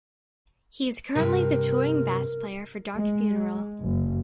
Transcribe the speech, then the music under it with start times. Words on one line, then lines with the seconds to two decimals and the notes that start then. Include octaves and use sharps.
He is currently the touring bass player for Dark Funeral.
1.15 G2 C3 A#4
2.95 G#3
3.82 F#1